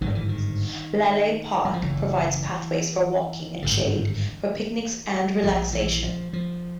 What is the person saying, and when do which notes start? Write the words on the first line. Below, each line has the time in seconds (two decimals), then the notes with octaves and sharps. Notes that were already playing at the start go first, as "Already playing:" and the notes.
Laleh Park provides pathways for walking and shade for picnics and relaxation.
0.01 G#1 G2 D3 D#3
0.15 E3
0.29 D#3
1.65 F#3
1.73 F3
1.82 F#1 F#2 C#3 E3
3.62 G#1 G2 D3
5.43 A#1 A#2 F3
5.73 E3
6.03 F3
6.33 F3